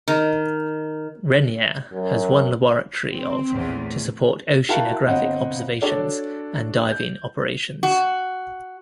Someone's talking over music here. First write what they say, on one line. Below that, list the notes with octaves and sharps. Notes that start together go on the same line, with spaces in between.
"Rainier" has one laboratory of to support oceanographic observations and diving operations.
D#3
F#2
C4
A#1 E2 A2
E4 F#4 A#4 F5 G5 A5
G1 C4 D#5 F#5
D4 F#4 A4 C#5 D5
G6
F#4